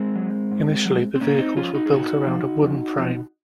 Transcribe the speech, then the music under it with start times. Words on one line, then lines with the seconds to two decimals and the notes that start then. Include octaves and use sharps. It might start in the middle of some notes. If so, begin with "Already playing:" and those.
Initially the vehicles were built around a wooden frame.
Already playing: G#3 C4
0.15 F#3
0.51 G#2
0.85 F#3
1.16 C4
1.21 A#2 A#3 C#4
1.38 C4 D#4
1.57 F3 C#4 F4
1.75 D#4 F#4
1.86 G#4
1.92 A#2 D#4 F#4
2.27 F3
2.62 F2
2.98 C3 F3